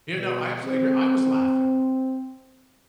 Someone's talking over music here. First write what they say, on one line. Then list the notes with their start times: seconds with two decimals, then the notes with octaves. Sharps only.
You know, I absolutely agree I was laughing.
0.12 B2
0.63 C4